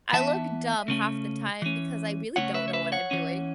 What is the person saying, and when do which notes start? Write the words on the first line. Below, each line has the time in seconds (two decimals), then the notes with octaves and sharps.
I look dumb half the time, because I really don't know what I'm doing,
0.13 E3 B3 E5 A5
0.88 C#3 A3 C#4
1.62 E3 C#4
2.36 C#3 A3 C#4 C#5 F#5
2.54 B4 E5
2.68 C#5
2.73 B4 E5
2.92 C#5 F#5
3.11 E3 C#4